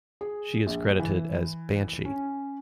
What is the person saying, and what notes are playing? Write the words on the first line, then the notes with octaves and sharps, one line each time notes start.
She is credited as "Banshee".
G#4
A#1
E3
C#4